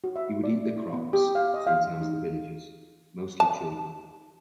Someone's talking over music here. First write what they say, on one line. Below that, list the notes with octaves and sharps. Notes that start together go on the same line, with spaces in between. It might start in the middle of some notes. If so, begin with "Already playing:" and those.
He would eat the crops and sometimes the villagers, mostly children.
F#4
E5
D5
E4
B3
G4
F5
D#5
F5
D#4
A5